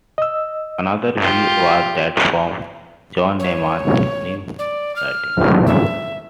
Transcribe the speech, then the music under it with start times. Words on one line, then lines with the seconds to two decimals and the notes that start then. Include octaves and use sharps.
Another view was that from John Lehmann's "New Writing".
0.18 D#5 E6
1.21 F4 G4
3.39 C#5
4.59 D5
4.96 F6
5.67 E5